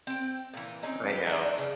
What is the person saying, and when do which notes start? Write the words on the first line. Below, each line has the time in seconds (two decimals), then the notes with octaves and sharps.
I know.
0.07 C4 G5
0.53 A#2 E3
0.83 C4 C#4 D#4
1.08 G4 B4
1.27 D4 D#4
1.58 C#3